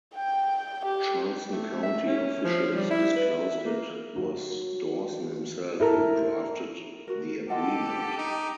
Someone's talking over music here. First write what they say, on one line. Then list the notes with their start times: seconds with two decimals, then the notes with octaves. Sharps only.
Charleston County officials disclosed it was Dawson himself who drafted the agreement.
0.15 G5
0.86 G4
1.52 A3
1.83 E5
2.07 C#4
2.44 F3
2.75 G3
2.91 E4
3.16 B4
3.31 E5
3.66 A#3
4.16 F#3
5.80 E4 A4 A#4
7.07 F#4 A#4
7.50 F4 G4 A4 D#5 F#5
8.18 D#4